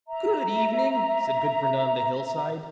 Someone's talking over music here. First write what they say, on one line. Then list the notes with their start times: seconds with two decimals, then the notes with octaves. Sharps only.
'Good evening!' said Gudbrand on the Hill-side.
0.07 E5 A#5